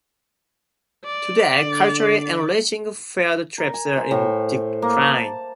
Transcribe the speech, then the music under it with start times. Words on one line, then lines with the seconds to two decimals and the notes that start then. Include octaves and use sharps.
Today, culturally enriching field trips are in decline.
1.05 D5
1.56 D3
3.58 A#4
3.74 G#5
3.97 C5
4.11 A2
4.82 A#3
5.01 A5